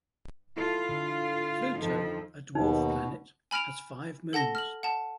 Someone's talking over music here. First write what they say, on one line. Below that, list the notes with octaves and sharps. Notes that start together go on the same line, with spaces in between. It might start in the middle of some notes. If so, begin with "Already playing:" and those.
Pluto, a dwarf planet, has five moons.
E4 F4 A4 F5
D3
F2 F3 D#4 A4
D#2 B2 D#4
G#5 B5 F6 D7 F7
A4 F#5 A5 A#6 G7
F6 F#7
F#5 A5